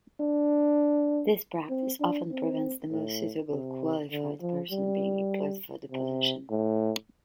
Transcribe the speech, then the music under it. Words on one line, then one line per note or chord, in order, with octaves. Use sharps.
This practice often prevents the most suitably qualified person being employed for the position.
D4
C4
D4
C4
A2
C3
D3
F3
G3
C3
A2